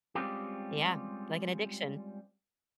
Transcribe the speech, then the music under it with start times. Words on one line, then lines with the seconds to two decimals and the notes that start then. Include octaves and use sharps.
Yeah. Like an addiction.
0.15 G3 G#3 C4 C#4 F4 G4